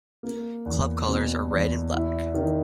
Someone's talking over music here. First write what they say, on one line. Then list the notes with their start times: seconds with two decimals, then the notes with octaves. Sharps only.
Club colours are red and black.
0.23 A#3
0.65 E2
1.07 B2
1.50 E2
1.93 E4
2.34 D#3